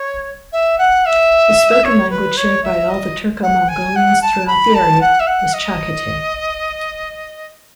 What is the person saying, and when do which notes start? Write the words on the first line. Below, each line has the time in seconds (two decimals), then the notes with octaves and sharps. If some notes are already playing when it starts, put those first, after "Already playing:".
The spoken language shared by all the Turko-Mongolians throughout the area was Chaghatay.
Already playing: C#5
0.52 E5
0.78 F#5
1.05 E5
1.84 C#5
2.10 B4
2.37 C#5
2.63 E5
2.89 D#5
3.42 F#5
3.68 G#5
3.95 F#5
4.21 A5
4.47 B5
4.74 A5
5.01 F#5
5.19 E5
5.27 F#5
5.53 D#5